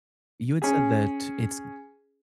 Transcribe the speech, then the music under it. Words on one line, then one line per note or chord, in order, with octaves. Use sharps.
you had said that it's
C#4 G#4